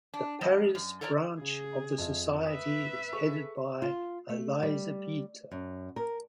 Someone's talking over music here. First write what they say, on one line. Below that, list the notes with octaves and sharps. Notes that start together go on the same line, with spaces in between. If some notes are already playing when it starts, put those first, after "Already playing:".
The Paris branch of the Society is headed by Eliza Pieter.
D4
F2 G3 D#5
F#2
A4 A#4 C#5 D5 A#5
C#3 G#4
F2 F4 E5
B4 E5 D#6
G#4 A4 C#6
F4
A3
G3
F#2
A#4